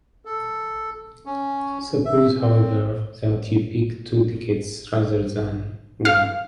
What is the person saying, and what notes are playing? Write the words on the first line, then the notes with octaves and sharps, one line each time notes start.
Suppose, however, that you pick "two" tickets rather than "one".
A4
C#4
E5
C4
F5